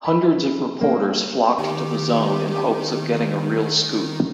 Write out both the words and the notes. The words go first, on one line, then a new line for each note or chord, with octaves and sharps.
Hundreds of reporters flocked to the zone in hopes of getting a real scoop.
B5
A#3
D#3 G4